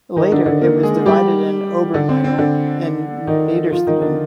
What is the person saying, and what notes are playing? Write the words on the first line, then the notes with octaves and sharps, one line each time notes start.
Later it was divided in Ober-, Mittel- and Niederstedten.
D#3 D#4
D3 D4
D3 D4
A#3 A#4
G#3 G#4
G3 G4
D3 D4
C4
C4
D3 D4
D#3 D#4
F3 F4
D#3 D#4
D3 D4